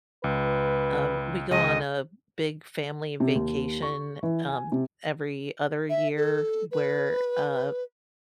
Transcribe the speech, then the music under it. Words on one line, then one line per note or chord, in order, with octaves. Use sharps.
um we go on a big family vacation, um, every other year where, uh,
C#2 B4
C#2 G#4 D#5
C3
D#2
C#6
E3
G#5
C3
E5
A4
B4